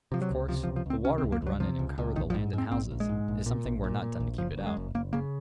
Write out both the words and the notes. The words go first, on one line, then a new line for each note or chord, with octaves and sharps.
Of course the water would run in and cover the land and houses, if something were not done to keep it out.
C3 F3
F#3
C#2
C3 F3
F3
C#2
F3
C#2 C4
C3 C#4
C4
C#2
A#3
C#2 F#3
C3 F3
C#2
C#2
A#1 D#3
F3
G#2
G#2 C4
A#1 C4
A#1
G#3
G#2
A#1
A#2
A#1
A#2
A#2
A#1
F#1 F3
F#2
G#3
F#1
F#1 A#3
C#3 A#3